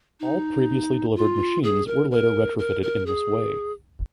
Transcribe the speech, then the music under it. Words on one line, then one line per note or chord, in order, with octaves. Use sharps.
All previously delivered machines were later retrofitted in this way.
D#4
F4
G#4
A#4
A#4
A#4
A#4
G#4